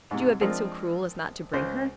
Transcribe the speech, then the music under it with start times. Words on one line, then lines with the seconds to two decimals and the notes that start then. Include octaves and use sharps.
"Could you have been so cruel as not to bring her?"
0.11 G#2 C3
0.41 F3 G#3 C4 D4 F4 A#4
1.53 C#2 C5